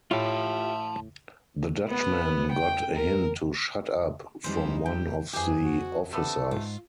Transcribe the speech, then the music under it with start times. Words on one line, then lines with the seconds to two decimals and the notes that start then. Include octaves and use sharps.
The Dutchman got a hint to ‘shut up’ from one of the officers.
0.11 A2 F4 G4 E5 A5 C6
1.89 B3
2.51 G5
2.95 A#4
4.44 F2 E3 G3 G#3 D#4 E4 C5
4.86 G3 G5
5.33 F2 E3 F#3 G4 G#4
5.63 F#4
6.13 C3 A3 B3 D4 A4
6.51 G#2 F4